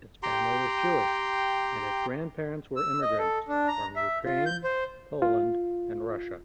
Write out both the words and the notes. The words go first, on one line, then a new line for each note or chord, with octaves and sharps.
His family was Jewish, and his grandparents were immigrants from Ukraine, Poland, and Russia.
G4 G5 A#5 C6
E6
D#5
A4
D4
A#5
E5
F4
G6
C5
F4